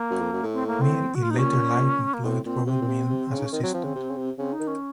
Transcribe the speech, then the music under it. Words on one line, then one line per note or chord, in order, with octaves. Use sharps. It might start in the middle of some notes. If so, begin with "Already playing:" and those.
Mill in later life employed Robert Mylne as assistant.
Already playing: A#3
F#2
F2
F#2
A2
C4
A#3
C4
F#4
F4
D#4
C3
A#2 C#4
A#3
A2 C4
A#2 C4
C3 C4
A#2
C3
C3
C#3
D#4
C#4
D#3 C4
F#3
F3
C#3
C3
C#3
C3
C#3 C4
D#4
D#3
C#4